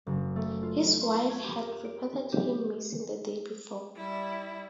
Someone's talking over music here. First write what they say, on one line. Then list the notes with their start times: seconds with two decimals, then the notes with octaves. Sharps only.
His wife had reported him missing the day before.
0.07 F#1
0.36 A3
0.63 F4
1.01 C6
1.30 G#6
1.44 G4
1.61 A#4
1.85 D7
2.32 G4
3.96 G3 E4